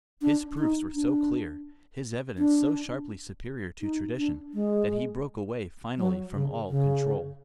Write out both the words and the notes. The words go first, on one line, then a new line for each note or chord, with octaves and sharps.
His proofs were so clear, his evidence so sharply superior to tradition, that he broke away finally from all control.
D4
D#4
D4
D4
D#4
D4
G#3
F#3
C#3
C#3